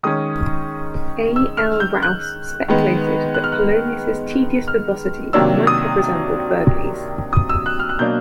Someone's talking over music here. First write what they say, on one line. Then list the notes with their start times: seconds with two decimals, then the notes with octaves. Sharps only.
A. L. Rowse speculated that Polonius's tedious verbosity might have resembled Burghley's.
0.03 D#3 G#3 C#4 D#6
1.36 E6
1.57 F6
1.80 G6
2.03 F#6
2.68 D#3 G#3 B3
3.34 F#6
3.44 F6
3.52 F#6
4.68 F6
5.33 C3 D#3 F#3 A#3 D4 E6
5.67 D#6
7.33 D#6
7.49 E6
7.66 F#6
7.79 F6
7.89 F#6
7.99 B2 F#3 A#3 D4 G6